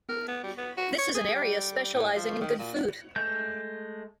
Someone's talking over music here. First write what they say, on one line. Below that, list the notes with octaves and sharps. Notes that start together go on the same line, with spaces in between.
This is an area specialising in good food.
A#4
B3
G3
B3
F#4
C#5
G#4
G3
A2
F3
D#3
A#2
G#3 A3 G6